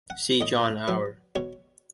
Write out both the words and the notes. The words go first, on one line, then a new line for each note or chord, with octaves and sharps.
See John Hour.
F#5
A2 D#5
F#3 B4
B2 C#5